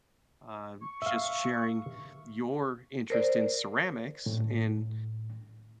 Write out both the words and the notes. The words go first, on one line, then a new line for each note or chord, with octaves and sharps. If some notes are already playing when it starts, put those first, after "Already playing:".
uh, just sharing your interest in ceramics, and,
C#6
E5 F5
A#4 C5 D5
A2